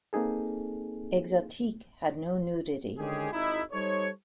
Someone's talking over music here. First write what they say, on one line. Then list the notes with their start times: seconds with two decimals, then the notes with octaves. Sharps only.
"Exotique" had no nudity.
0.13 A#3 C4 D#4 G#4 A4
2.99 D3 D#3 G#3 C#4 G4 G#4
3.32 G#1 D#4 E4
3.72 G3 D#4 A4 C5 C#5